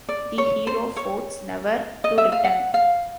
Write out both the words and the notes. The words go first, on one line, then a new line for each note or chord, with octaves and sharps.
The hero fords, never to return!
D5
C#5
C5
C#5
D#5
E5
F5
F#5
F5